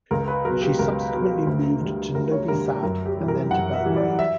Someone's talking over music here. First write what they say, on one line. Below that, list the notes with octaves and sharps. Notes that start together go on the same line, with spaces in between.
She subsequently moved to Novi Sad and then to Belgrade.
C#2 A#4
B4
B2 F#3 A#4
G4
C#2 A#4
B2 F#3
D2
D3 G3
D2 A#4
C#5
D3 G3 A#4
G4
F#2 A#4
G4
E3 G3
A#4
F#2 F#5
E5
E3 G3
D5
E5